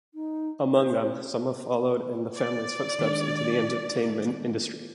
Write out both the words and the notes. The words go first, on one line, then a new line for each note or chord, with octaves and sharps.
Among them, some have followed in the family's footsteps into the entertainment industry.
D#4
C5
D5
D#3 G#3 D4